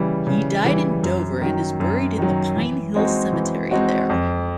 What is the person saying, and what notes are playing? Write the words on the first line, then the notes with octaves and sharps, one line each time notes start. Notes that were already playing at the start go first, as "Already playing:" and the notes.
He died in Dover and is buried in the Pine Hill Cemetery there.
Already playing: C#3 E3 G3
C#3
E3 G3
F#2
D#3 F#3
F#2
D#3 F#3
E3
G#3 C4 D#4 F#4
E3
G#3 C4 D#4 F#4
F2